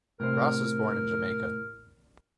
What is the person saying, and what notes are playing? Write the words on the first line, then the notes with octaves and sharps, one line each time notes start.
Ross was born in Jamaica.
A2 C3 A#4 C5